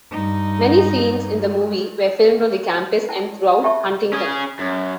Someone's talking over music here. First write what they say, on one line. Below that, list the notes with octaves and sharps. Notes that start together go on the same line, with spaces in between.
Many scenes in the movie were filmed on the campus and throughout Huntington.
G2 D#4
E4 A5
F4 G4 E5 A5 C#6
C#4 G#4
F#2